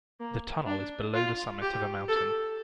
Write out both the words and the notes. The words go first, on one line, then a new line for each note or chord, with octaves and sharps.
The tunnel is below the summit of a mountain.
A#3
D4
F4
G4
A4